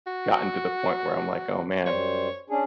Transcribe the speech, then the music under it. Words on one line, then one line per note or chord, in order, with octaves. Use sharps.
gotten to the point where I'm like, "Oh, man"
F#4
F#2 G3 C5 C#5
C#4 D4 G#4